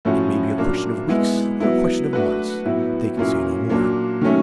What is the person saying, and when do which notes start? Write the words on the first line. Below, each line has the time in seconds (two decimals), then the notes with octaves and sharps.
It may be a question of weeks or a question of months, they can say no more.
0.05 A2 F3 A3 C#4 F#4
0.57 A#2 F#3 A#3 D4
1.09 G#3 B3 E4
1.60 F#3 B3 E4
2.13 A3 D4 F#4 B4
2.65 A2 F#3 B3 E4
3.17 A#2 F#3 A#3 C#4 E4
3.69 A#2 F#3 A#3 D4
4.21 D#3 F#3 A3 C#4